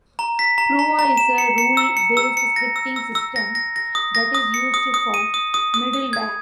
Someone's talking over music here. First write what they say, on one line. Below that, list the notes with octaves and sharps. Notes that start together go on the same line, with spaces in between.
Prova is a rule-based scripting system that is used for middleware.
A#5
B6
A#5
A#5
A#5
E7
C#7
C#7
E6
C#7
E6
C#7
A#6
E6
E6
E6
A#6
A#6
A#6
D#6
A#6
D#6
C#7
D#6
D#6
D#7
D#6
D#6
D#6
D#6
G#6